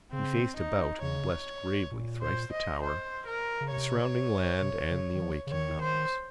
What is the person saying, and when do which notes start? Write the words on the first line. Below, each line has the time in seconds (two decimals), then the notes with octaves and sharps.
He faced about and blessed gravely thrice the tower, the surrounding land and the awaking mountains.
0.12 C#3 C4
0.56 D#4
1.02 C#3 C#5
1.91 A#2
2.22 C5
2.52 D#5
2.82 C5
3.27 A#4
3.61 C#3
3.71 C3 C#5
4.61 C3
4.91 C#3
5.15 D#3
5.21 F3
5.47 C#3
5.51 D#3 C#5
5.81 C5